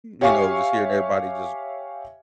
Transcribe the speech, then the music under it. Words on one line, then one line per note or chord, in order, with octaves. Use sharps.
you know, just hearing everybody just
G4 C#5 E5 F5 G#5 C#6